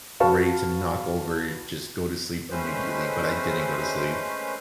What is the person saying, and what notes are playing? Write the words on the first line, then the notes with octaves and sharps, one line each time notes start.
ready to knock over, just go to sleep immediately, but I didn't go to sleep.
F#4 B4 F5 A5 C#6
G#3 A3 C4 C#4 B4 C5